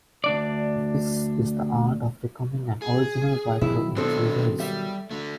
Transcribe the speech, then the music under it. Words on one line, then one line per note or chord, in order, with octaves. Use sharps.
That is the art of becoming an original writer in three days.
D2 D4 D5
G#4
B2 D#3 F#3 E4
B3 C4 D4 A4
G3 E5
D3 A3